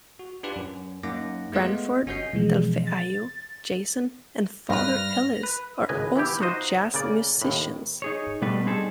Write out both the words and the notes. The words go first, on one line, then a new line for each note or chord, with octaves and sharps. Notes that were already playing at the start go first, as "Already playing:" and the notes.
Branford, Delfeayo, Jason and father Ellis are also jazz musicians.
F#4
D4 F4 G4 B4
F#2
F#2 A#3 D#4 F#5 D6 A#6
G#3 A3 B3 F4 D#5
G1 C#4 F#4 D#5 G6 C7
B2 E3 F3 G#3
A6
G2 B4 F6 A#6
B4
G#1 C#2 A2 B4 D#5 G#5
E3 B3 E4 G4
D#4 F4 F#4 C5 D#5
C#3 A#3 D5
D#2 A2
D#4 G#4 C#5
B2 G3 A3 B3 D4 B4
G3 C4 D#4 G#4 A4